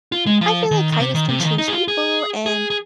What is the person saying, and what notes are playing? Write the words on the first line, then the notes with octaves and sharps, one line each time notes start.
I feel like kindness can change people, and
F4
G#3
F3
D#3
D#3
C3
D#3
C3
F3
D#3
D#4
G#4
F4
G#4
G#4
G#4